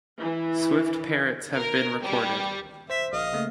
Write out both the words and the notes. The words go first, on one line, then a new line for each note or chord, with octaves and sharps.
Swift parrots have been recorded.
E3
A#4
G3
C5 E5 B6
A#1 D#5 F5
C#3 A3 A#3